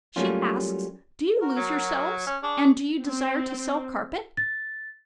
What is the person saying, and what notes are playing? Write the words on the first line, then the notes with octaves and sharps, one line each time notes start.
She asks do you lose yourselves, and do you desire to sell carpet?
F#3 G3 A3 A#3 C#4 F4
F#4 A#4
F#3
C#4
D4 G#4 C#6
C4
A6